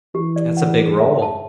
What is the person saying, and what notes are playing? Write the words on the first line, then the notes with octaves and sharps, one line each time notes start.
That's a big role.
E3 G4
D5
F#5
G#4
E5
A5